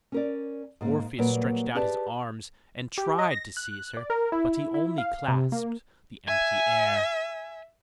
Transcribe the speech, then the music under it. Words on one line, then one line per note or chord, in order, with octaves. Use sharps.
Orpheus stretched out his arms and tried to seize her, but he only clasped the empty air.
C#4 A#4 D5
G#2 A#3
A#2 F#3 G3 A#3 A#4 B4
G4 G#4 B4 D5 E5 A5
G4
D#5
A#6
F#6
D5
A#4
E4
E4
F5
C3
A#3
E5 G#5